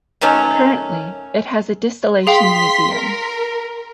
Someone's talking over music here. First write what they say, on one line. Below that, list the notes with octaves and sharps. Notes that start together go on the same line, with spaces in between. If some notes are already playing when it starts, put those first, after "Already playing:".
Currently it has a distillation museum.
D#3 F#3 A3 C#4
G#4 F5 G5 C6 B6
A#4